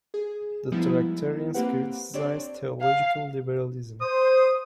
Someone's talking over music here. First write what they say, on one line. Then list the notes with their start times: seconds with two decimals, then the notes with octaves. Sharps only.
The Tractarians criticised theological liberalism.
0.14 G#4
0.72 F3 G3 G#3 B3 D#4 E4
1.54 A#3 C4 G4 B4 F#5
2.14 C4 D4 G4 C#5 D5
2.81 F5
4.01 C5 D#6